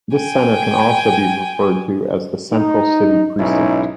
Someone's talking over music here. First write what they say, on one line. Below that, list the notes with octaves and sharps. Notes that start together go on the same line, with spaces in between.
This centre can also be referred to as the Central City precinct.
G5 G#5
D#4
B1 G#2 C#4 D#4 E4